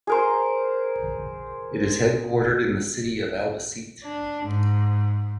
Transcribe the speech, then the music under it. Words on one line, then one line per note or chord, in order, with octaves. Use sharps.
It is headquartered in the city of Albacete.
G#4 A#4 C5
D4
G#2